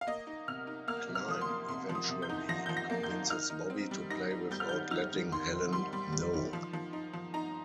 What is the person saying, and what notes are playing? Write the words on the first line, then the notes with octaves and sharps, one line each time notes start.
Klein eventually convinces Bobby to play without letting Helen know.
F5
A#3 D#5
D#4
C3 F6
D#4
A#3 F6
C3
F6
F3 D#6
C6
A#3
C3 C6
F3
D#6
C3
G6
D#4
F3 A#6
F3 G6
A#6
A#3
G6
D#4
D#4 F6
D#4
C4
G3
D#4 A#6
D#4
G3 G6
F6
D#3 G6
D#4 F6
D#3
D#3 C6
C4
G3 C6
G3
G3
D#3
F3
F3
D#4
F3
D#4 A#5